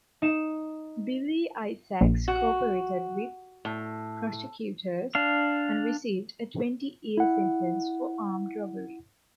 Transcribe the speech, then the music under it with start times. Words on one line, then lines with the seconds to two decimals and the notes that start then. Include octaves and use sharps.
Billy Isaacs cooperated with prosecutors and received a twenty-year sentence for armed robbery.
0.22 D#4 E7
2.01 A#1
2.28 F#4
3.65 A2
5.15 D4 F5
7.17 E4 F#5